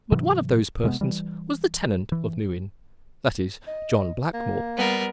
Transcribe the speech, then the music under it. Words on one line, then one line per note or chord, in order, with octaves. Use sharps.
But one of those persons was the tenant of New Inn--that is, John Blackmore.
G#2 C3 E3 F#3
C3 G#3 A#3 B3
E3 G3
E3
D#5
A#3
G3 B3 A#4